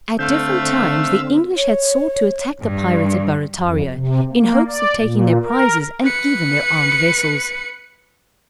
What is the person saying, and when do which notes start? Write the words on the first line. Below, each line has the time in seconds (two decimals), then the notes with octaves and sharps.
At different times the English had sought to attack the pirates at Barrataria, in hopes of taking their prizes, and even their armed vessels.
0.19 D3 A3 C4 E5 F5 E6 G6
1.56 C#5
2.62 G2
3.56 F2
3.90 C3
4.32 A#3
4.68 D5
4.97 A#2
5.43 A#4
6.02 B4 C#7